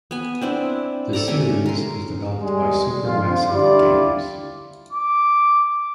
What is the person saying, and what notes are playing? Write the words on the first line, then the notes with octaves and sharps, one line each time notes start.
The series is developed by Supermassive Games.
B3 G#5
C4 D4 E4
A4 D5 A#5
A3 C#4 G#5
A#4 C6
G3 G#3
F2 F4
D3 G3 E4 F4 D5
D6